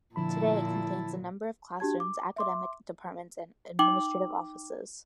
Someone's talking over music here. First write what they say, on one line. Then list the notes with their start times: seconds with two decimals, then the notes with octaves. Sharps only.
Today, it contains a number of classrooms, academic departments, and administrative offices.
0.16 A#2 D3 F3 E4 A5 B5
1.80 D4 F#4 G4 A5 G#6
2.00 D6
2.36 E5 C6 D6
3.79 D#4 G5 D6 F#7